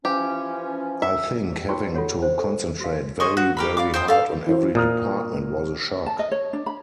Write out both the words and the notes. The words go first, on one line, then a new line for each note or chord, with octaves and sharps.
I think having to concentrate very, very hard on every department was a shock.
E3 F3 C#4 G4
E5
D#4 F4 F#4 C#5 G5 C#6
F4 A4 C#5 F#5
C5
A4
F#4 F5
G#4 C5 D#5 C#6
F#4
G4 A#4 B5
D5 F5 D6
C5 G5 D#6
A4 F5
E3 E4 C5
A#2 A#5 D#6 F6
A5
D#5
C#5
D4
B5